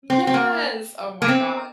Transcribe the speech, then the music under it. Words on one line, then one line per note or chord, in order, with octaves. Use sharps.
Yes, oh my gosh.
C4
C4
A#3
A#3
C4